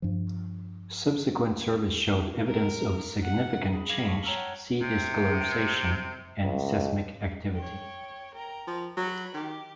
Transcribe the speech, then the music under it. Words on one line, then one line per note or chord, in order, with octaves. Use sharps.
Subsequent surveys showed evidence of significant change - sea discolouration and seismic activity.
G2 F3
A#4
F#5
G#4 B5
F5 D6 G#6 A#6 B6 C#7
A5 C#6 B6
C#5 G5 A#5 E6 F6
F#5
C3
C#2
C#5 G5
A#4 G5 A#5
F3
F#3 C#5 B5
D#3 G4